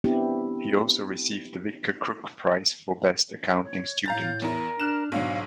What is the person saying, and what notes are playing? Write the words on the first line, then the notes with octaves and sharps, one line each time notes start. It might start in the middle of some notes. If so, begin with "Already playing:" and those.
He also received the Victor Crooke Prize for Best Accounting Student.
B3 C4 D4 E4 G4
C#5
A2 F5 A#5 G6 A6
E2 E4 A#4
D4 F6 F#6 E7
B1 G#2 D3 F#3 F5